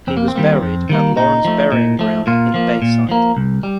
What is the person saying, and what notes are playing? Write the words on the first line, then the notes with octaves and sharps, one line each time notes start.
He was buried at Lawrence Burying Ground in Bayside.
F2 C4
A#3
C4
D#3 G3 A#3
F2
D#3 G3 A#3
A#2 D#4
F3 A3
A#2
F3 A3
A#2 F4
F3 A#3
A#2
F3 A#3
C2
G3